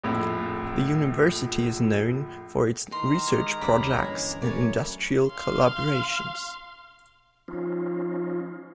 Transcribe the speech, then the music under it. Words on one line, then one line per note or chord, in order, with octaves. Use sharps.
The university is known for its research projects and industrial collaborations.
A#1 F2 A2
D#3 E3 A#5 C6
G#3 D#5 D6 G#6
D2 G3 C#4 B5 D6
G2 E3 G#3 A#3 G#6
A#2 F#3 A3 C#4 A#4 B4 C#5 D5
F5 C6
F3 C#4 D#4 F4